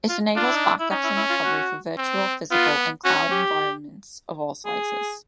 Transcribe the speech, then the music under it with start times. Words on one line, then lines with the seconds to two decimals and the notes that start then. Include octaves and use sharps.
It enables backups and recovery for virtual, physical and cloud environments of all sizes.
0.09 F4
0.36 D4 F4
0.46 E4
0.56 D#4
0.65 E4
0.79 E4
0.90 C#4 D#4
1.04 E4
1.17 E4
1.30 F4
1.44 F#4
1.98 C4
2.51 B3 F4
3.05 C#4 F#4
3.31 G4
4.66 G#4